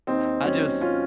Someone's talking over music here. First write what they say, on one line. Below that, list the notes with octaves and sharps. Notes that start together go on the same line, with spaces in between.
I just,
D#2 C4 D#4
F#3 C#4
C#4 F4